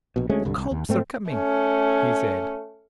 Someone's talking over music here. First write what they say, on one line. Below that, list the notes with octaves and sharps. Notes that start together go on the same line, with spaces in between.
'The cobs are coming!' he said.
A#1 B2
D2 G#3 A3 C#4
C2 G2 D3
C2
D#2
G#2 A3 C4
A3 C#4